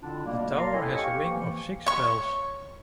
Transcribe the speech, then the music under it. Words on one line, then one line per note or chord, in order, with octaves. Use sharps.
The tower has a ring of six bells.
B2 D3 C4 D4 E4 F4
B2 G3 A3 A#3
A#4 F5 A5 A#5 C6
C4 E4 A4 C#5 D#5 G#5
G4 F5 G5 C#6
E3 F3 A#3
C#5 C#6